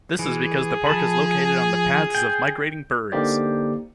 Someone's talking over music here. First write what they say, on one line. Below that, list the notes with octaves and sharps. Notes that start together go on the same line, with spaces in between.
This is because the park is located on the paths of migrating birds.
E3 G#4
F3 A5 B5
G5
D3 A#3 D#4 G4 C5 D5